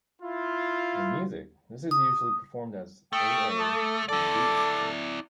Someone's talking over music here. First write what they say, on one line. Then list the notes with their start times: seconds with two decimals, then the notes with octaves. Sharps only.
In music this is usually performed as A-A-B-B.
0.20 E4 F4
1.91 D#6
3.13 A3 G5 D#6
3.58 A4 D6 D#6
4.09 E4 A4 D5 D6